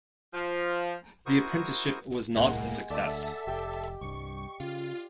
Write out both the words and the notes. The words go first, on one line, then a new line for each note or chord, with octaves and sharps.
The apprenticeship was not a success.
F3
E4 F#4 A#4 C5 C#6 D#6
D#1 C2 A2 G#3 A#3 F#5
D2 A4 D5 E5 A5 D6
F1 G4 G5
C2 G2 C#6
C#3 F4